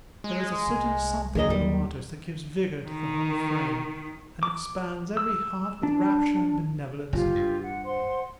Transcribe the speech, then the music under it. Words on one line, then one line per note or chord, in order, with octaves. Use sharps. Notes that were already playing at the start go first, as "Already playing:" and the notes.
There is a certain something in the waters that gives vigour to the whole frame, and expands every heart with rapture and benevolence.
G#3
C2
D#2 F#3 G#4 A#4 D#5
G3
D#3
D6
E6
D4
F#1 C3 F4 G4
G2
F#5
C5 F#5 C6